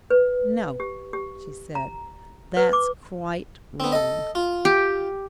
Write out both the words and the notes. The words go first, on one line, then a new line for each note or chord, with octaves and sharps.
"No," she said, "that's quite wrong."
B4
G4
G4
A#5
B4
D6
B3 C4
A4 D#5
F4
G4